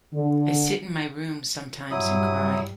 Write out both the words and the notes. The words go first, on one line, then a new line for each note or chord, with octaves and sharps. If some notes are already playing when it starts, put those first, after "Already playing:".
I sit in my room sometimes and cry.
D3
A#1 G2 F#3 G3 E4 D#6